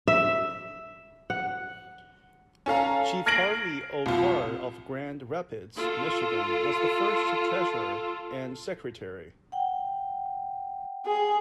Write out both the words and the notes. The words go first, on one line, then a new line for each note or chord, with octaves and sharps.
Chief Harvey O. Carr of Grand Rapids, Michigan, was the first treasurer and secretary.
E5
F#5
C#4 A4 F5 A#5
F6 G#6 A#6 C7 D7 F#7
C2 F4
F4 A4
F#5 G5
G#4